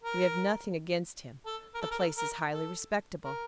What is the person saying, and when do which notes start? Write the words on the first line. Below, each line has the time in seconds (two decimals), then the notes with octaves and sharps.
We have nothing against him; the place is highly respectable.
0.03 A#4
1.46 A4
1.74 A#4
1.81 A4
1.91 A#4
1.99 A4
2.17 A#4
2.53 A4
3.24 A#4